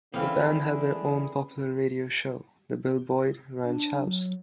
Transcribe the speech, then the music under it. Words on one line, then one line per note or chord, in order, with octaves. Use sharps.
The band had their own popular radio show, The Bill Boyd Ranch House.
D3 E3 C4 C#4 G#4 F5
D4
F#3